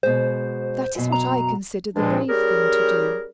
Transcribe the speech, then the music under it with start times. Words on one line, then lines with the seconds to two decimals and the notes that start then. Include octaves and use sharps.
That is what I consider the brave thing to do.
0.03 B2 G#3 C5
0.95 F#2 B2
1.12 A#5
1.95 C#2 G2 A#2 F3 G#3 D4
2.29 G3 C#4 G4 G#4 A#4